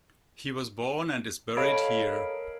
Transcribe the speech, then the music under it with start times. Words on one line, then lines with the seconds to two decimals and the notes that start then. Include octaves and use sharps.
He was born and is buried here.
1.57 A4 C#5 D#5 F5 B5 D7
2.10 A#4